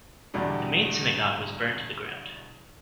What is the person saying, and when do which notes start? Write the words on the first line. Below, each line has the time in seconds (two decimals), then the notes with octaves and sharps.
The main synagogue was burned to the ground.
0.34 E2 B2 D3 G3 D4